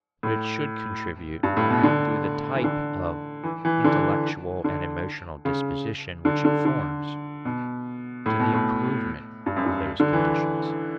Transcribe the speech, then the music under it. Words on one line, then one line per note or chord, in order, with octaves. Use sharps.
But it should contribute through the type of intellectual and emotional disposition which it forms to the improvement of those conditions.
A2
G2
A2
B2
D3
E3
D3
E3
E3
D3
D3
C#3
D3
D3
D3
B2
A2
B2
A2
G2
F#2
G2
D3
E3